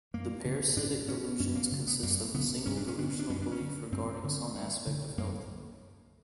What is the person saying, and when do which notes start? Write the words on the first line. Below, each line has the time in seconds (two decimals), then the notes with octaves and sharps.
The parasitic delusions consist of a single delusional belief regarding some aspect of health.
0.14 F#2 A#3
0.45 C#3
0.77 G#2 D4
1.09 C#4
1.40 F#2 C#4
1.55 A#3
1.72 C#3
1.87 B3
2.03 F#2 A#3
2.34 C#3 B3
2.66 G2 C#4
2.77 D4
2.88 C#4
2.98 D3 D4
3.09 C#4
3.19 D4
3.29 F#2 C#4
3.42 D4
3.52 C#4
3.61 D3
3.92 G2 C4
4.24 D3
4.55 G2
4.87 D3
5.18 F#2 A#3